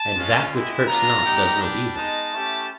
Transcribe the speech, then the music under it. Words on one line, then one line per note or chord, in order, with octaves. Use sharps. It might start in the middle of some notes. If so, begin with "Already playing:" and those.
And that which hurts not does no evil?
Already playing: A5
G#3 C#4 F4
G#3 B3 E4 G4
B3 D4 F4 A#5
G3 B3 D#4 G4
G3 B3 D4 G4
G#3 B3 D#4 A5
A3 C#4 E4 G4